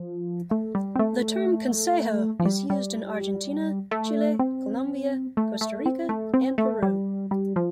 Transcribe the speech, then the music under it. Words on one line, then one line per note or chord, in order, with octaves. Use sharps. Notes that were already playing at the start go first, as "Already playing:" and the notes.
The term "consejo" is used in Argentina, Chile, Colombia, Costa Rica, and Peru.
Already playing: F3
A3
G3
C4
A3
F3
G3
G3
A3
C4
A3
A3
C4
A3
C4
A3
G3
G3
F3